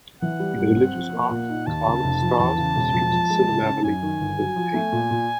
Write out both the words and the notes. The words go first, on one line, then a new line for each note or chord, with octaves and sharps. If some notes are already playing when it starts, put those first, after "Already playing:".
In religious art, a crown of stars is used similarly to a halo.
E3 F#5
G3
G2
C4
F3
A#3
A#2
D#4
D#2 A5
C#3
F1
F3
E2 A5
C#3
E1
F3
F3
G#3
C#3
C#4
F#2 G#5
D#3
G1
F#3
F3
A3
A#2
A#2